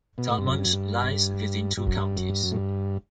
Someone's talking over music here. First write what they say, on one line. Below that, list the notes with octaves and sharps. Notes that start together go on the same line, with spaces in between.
Tallmadge lies within two counties.
B2
A2
G2
F#2
G2
F#2
G2
G2
F#2
G2
F#2
G2
F#2
A2
G2